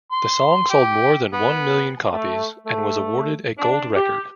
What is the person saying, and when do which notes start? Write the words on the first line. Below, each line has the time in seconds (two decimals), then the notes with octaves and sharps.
The song sold more than one million copies, and was awarded a gold record.
0.12 C6
0.69 G4
1.33 B3
2.13 A3
2.66 A3
3.58 D4
3.95 G4